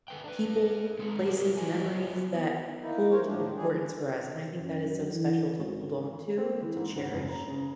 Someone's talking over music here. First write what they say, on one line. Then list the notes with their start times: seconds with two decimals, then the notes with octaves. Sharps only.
people, places, memories that hold importance for us, and I think that is so special to hold onto and to cherish.
0.08 A4 B4 G5
0.24 D4 B4
0.99 C3 G#3 C4 D#4 G#4
1.25 G3 G4 A#4 C5
1.57 F4 G#4 C5 D#5 G#5
2.34 B3
2.82 A#3 D#4 E4
3.11 A#4 C5 C#5
3.25 A2 F3 D4
3.57 D#3 E3 G3 D4 G#4
4.60 F#2
5.13 E3
5.58 G#1
6.38 C4
6.62 E3
6.76 G#2
6.95 D2
7.13 F#1
7.29 A#5
7.47 C#3